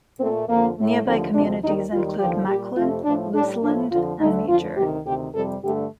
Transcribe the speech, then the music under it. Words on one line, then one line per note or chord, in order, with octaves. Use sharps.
Nearby communities include Macklin, Luseland and Major.
A#2 A3 C4
F2 D3 F3 A#3
A2 A3
D#2 D3 F3 A3 C4
D2 C3 F3 D4
D#2 D#3 G3 D#4
D#2 D#3 G3 F4
D#2 D3 F3 G4
A#2 G3 G4
F2 C3 F3 A3 F4
A2 F3 A3 D4
A2 G3 D4
A2 F3 A3 D4
F2 D3 F3 F4
D2 D3 A3 D#4
F2 D3 F3 F4
D2 C3 D#3 G4
D2 C3 D#3 G4
F2 C3 G3 A4
G2 D3 A3 G4